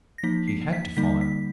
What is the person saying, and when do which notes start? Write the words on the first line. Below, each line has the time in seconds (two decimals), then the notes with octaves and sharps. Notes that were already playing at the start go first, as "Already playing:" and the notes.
He had to follow.
0.18 A#6
0.23 F3 A#3 D#4 B6
0.48 C7
0.73 B6
0.96 D3 G3 A#3 D#4 B6
1.21 B6